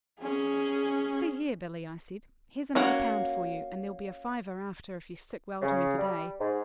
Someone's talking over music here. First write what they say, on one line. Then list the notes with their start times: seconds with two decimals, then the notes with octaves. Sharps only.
'See here, Billy,' I said, 'here's another pound for you, and there'll be a fiver after if you stick well to me to-day.
0.20 C#4 G#4
2.75 A#3 C#4 F#4 F#5
5.62 C#3
5.98 G3
6.40 G#2